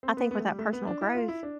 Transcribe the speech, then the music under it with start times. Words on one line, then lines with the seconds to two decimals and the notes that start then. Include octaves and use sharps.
I think with that personal growth,
0.03 C4
0.17 B3
0.31 B3
0.40 A3
0.50 G3
0.59 A3
0.73 B3
0.87 D4
1.01 E4
1.15 F4
1.28 E4
1.43 D4